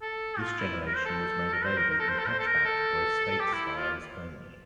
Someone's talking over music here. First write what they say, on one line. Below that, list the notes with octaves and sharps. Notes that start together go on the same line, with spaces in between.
This generation was made available in hatchback or estate styles only.
A4
F4
E4
A#4
C5
A4
A#4
C5
A#4
A#4
A4
C5
A4
C5
A4
A#4
A4
G4
E4
E4
F4